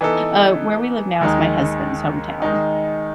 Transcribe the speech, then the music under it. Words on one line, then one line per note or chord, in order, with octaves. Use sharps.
Uh, where we live now is my husband's hometown.
E3 B3 D#4 A4
D#2 D#3 G#3 D#4
D#3 G#3 D#4